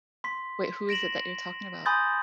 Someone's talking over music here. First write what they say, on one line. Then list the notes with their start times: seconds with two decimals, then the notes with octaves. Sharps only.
Wait, who is it that you're talking about?
0.24 C6 B6
0.89 A#6 D7 E7 F#7
1.86 G#5 B5 C6 D#6 G6 A6